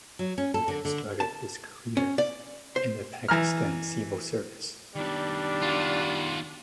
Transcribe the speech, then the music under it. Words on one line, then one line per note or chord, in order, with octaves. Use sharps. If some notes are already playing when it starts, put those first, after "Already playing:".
Uddin started his career in the Pakistan Civil Service.
F#3
C#4
A4
D3
D3
A5
C#4
D5
C5
E3 A#5 F6
D#3 G3 B3 D4
F4 F#4